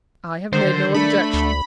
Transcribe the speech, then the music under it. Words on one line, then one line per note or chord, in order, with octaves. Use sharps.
"I have made no objection."
D3 D#3 C5
A3 D4 B5
D2